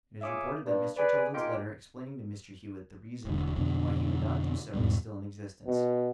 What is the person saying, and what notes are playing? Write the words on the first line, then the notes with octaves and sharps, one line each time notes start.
It is reported that Mr. Tilden's letter explaining to Mr. Hewitt the reason why he would not do so is still in existence.
F4 G#4 C#5 E5 D6 D#6
G2
G#4 B4 D5
G#3 A#3 D#4 F4 G4
E1 D2
F2 B2 D3
E2 G#2 B2 G3
B2